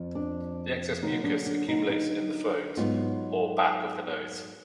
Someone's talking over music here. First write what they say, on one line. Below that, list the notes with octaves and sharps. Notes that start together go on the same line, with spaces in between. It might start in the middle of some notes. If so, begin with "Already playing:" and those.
The excess mucus accumulates in the throat or back of the nose.
Already playing: F2 F3
D4
D3 F#3 A#3 D#4
D4
D4
D#4
D#4
G#2 F#3 B3 F4